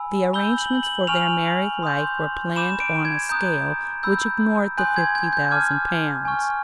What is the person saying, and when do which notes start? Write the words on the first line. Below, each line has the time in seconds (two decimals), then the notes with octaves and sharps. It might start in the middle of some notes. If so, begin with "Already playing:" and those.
The arrangements for their married life were planned on a scale which ignored the fifty thousand pounds.
Already playing: G#5 B5 E6
0.33 B5 E6 G6 G7
0.58 F#7
0.83 F#7
1.07 G#5 C#6 F6 F7
1.82 C6 D#6 G6
2.56 B5 D6 G6 E7
2.80 D7
3.05 G#6
3.29 A#5 D#6 F#6 G6
4.03 B5 E6 G6
4.77 G#5 C6 D#6 F#6 G6
4.96 G#6
5.15 G#6
5.33 G6
5.51 A5 D6 F6 G#6
6.25 G#5 C#6 F6